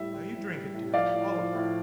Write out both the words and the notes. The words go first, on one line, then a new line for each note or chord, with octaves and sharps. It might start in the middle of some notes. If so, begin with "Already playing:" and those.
"Now you drink it, dear; all of it."
Already playing: A2 G3 E5
G3
A2
G3
A2
F3 D5 F5
A2
F3
A2